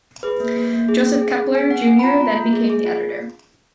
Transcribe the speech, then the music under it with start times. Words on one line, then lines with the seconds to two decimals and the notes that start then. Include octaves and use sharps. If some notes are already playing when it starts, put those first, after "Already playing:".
Joseph Keppler Junior then became the editor.
0.23 G#4 B4
0.40 A#3
0.56 A#3
0.73 A#3
0.88 G#4
1.05 C#4
1.21 G#4
1.38 G#4
1.55 B3 G#5
1.71 B3 F#5
1.87 B3 G#5
1.99 B5
2.03 F4 A#5
2.20 F4
2.36 A#3
2.53 G#4
2.70 G#4
2.85 F4